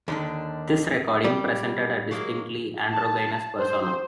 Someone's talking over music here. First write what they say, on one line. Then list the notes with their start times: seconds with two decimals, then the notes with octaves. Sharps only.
This recording presented a distinctly androgynous persona.
0.08 D#2 D3 D#3 D4
1.25 G3 G4
2.11 F#3 G#3 A#3
2.87 A5
3.57 C5